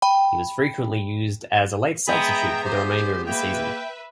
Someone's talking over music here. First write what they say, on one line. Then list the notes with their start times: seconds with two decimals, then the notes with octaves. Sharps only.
He was frequently used as a late substitute for the remainder of the season.
0.02 G5 B5
2.07 G#3 B3 G#4 E5 G5 A#5 B5
2.64 G4 C5
3.26 A#3 B4 E5 G5